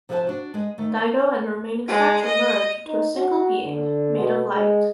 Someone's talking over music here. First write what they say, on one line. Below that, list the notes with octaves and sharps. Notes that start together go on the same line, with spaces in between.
Daigo and the remaining statue merge into a single being, made of light.
C3 F3 G#4 B4 C5 A5
D4 F#4
G#3 B4 D#5
D#3 A3
G#3
D#5
D#4
F#4
D3
B2
G#3